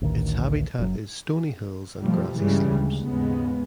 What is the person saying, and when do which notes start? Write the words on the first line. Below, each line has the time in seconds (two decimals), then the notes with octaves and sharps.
Its habitat is stony hills and grassy slopes.
0.01 A1 D2 D#3
0.79 F#1 F#2 F#3
2.00 B2 F3 G3 A3
2.36 G2 C#3 E3 G3 G#3
2.72 D2
3.03 D#2 G#2 C#3 G#3 B3